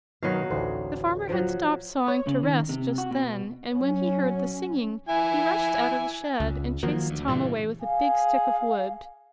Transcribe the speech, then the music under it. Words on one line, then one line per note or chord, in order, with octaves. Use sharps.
The farmer had stopped sawing to rest, just then; and when he heard the singing he rushed out of the shed, and chased Tom away with a big stick of wood.
B2 D#3 F#3 D#4 F5
A1 D2 A2 C5
F3 F#3
C#5
C#3
D#3
C3
F#4
B2
F#3 C#4
E4 G#5
C#2
D#3 F3 F#3 A#3
D2
G2 A#2 C#3 E3
G#4 F5